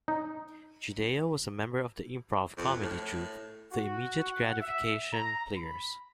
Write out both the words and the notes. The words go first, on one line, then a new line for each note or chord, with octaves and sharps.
Chideya was a member of the improv comedy troupe The Immediate Gratification Players.
D#4
F2
A2
F#4
F#5
E5
A#5
B5